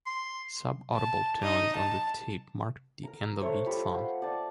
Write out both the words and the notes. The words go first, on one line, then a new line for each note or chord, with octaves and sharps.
Subaudible tones on the tape marked the end of each song.
C6
A5
D#4 D#5
A5
A#4 A#5
A3 C5 C#5
F4 G4 F5 B5
C5 F#5
D5 G5 A5